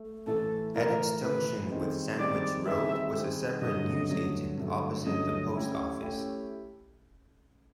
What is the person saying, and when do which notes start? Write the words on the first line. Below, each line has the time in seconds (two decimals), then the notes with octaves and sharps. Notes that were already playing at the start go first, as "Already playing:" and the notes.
At its junction with Sandwich Road was a separate newsagent, opposite the post office.
Already playing: A3
0.26 A2 E3 A3 A4
0.75 A2 E3 A3 A#4
1.23 A2 E3 A3 B4
1.70 D#3 G3 C4 D#4 G#4
2.18 D#3 G3 C4 D#4 G#4 D5
2.66 D#3 G3 C4 D#4 G#4 E5
3.14 D#3 G3 C4 D#4 G#4
3.62 G2 D3 F#3 A3 D#5
4.09 G2 D3 F#3 A3
4.57 G2 D3 F#3 A3
5.05 G2 D3 F#3 A3 D#5
5.54 A3 C#4 E4 G4
6.01 A3 C#4 E4 G4